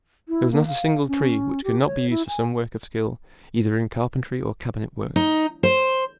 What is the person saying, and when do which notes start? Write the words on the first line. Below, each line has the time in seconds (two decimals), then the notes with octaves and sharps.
There was not a single tree which could not be used for some work of skill, either in carpentry or cabinet-work.
0.28 E4
0.52 A#3
0.67 F5
1.08 C#4
1.64 G4
1.86 C#5
2.10 E4
2.28 G#5
5.16 D#4
5.63 C5